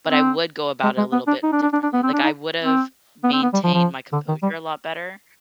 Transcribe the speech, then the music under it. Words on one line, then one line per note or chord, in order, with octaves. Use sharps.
but I would go about it a little bit differently, like, I would've maintained my composure a lot better,
C4
G#3
G#3
B3
D4
D#4
D4
D4
D4
D4
B3
C4
D4
D#4
C4
B3
C4
B3
G3
F3
F3
D3
D#3
G3